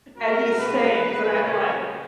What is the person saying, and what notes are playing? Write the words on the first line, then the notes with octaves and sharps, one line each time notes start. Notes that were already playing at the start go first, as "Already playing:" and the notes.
and he sings, and I'm like,
A#2 G#3 B3 F#4 A#4
B2 G#3 B3 G#4 B4
A#2 F#3 B3 G#4 B4
C#3 F#3 A#3 C#4